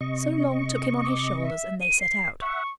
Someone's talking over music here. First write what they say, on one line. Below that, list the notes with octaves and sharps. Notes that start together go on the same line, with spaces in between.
So Long took him on his shoulders and they set out.
C3 D#5 C#6
D6
E5
D#7
C7
E5 F#5 C#6